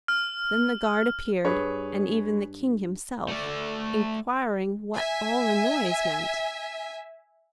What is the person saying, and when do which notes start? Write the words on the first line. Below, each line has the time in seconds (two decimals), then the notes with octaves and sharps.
Then the guard appeared, and even the King himself, inquiring what all the noise meant.
0.08 F6
1.45 G2 G#4 B4 C#5
3.28 A3 D5
4.95 E5 G#5